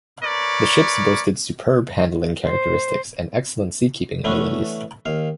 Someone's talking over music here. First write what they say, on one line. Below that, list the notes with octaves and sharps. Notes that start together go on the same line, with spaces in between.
The ships boasted superb handling characteristics and excellent sea-keeping abilities.
A#4 B4 C#5 D5
C5
E3 A3 B3 C#4 D4
D#2 F5